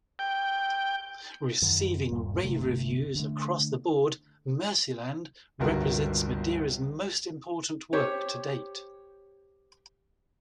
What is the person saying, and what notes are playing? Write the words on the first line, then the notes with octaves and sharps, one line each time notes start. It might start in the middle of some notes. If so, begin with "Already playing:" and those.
Receiving rave reviews across the board, "Mercyland" represents Madeira's most important work to date.
G5
F#2 D#3
D#1 G2 A#3
G1 D2 C3 A3
D3 A3
G1 C#2 G2 F#4 A#4
G4 C5 C#5